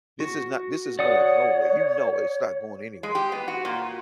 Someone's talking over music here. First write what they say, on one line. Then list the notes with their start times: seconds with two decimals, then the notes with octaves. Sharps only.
this is not this is going nowhere," you know it's not going anywhere,
0.20 F#4
0.99 C#5 D5 F#5 D#6
3.03 G#3
3.15 G4
3.32 B3
3.48 F#4
3.65 A#2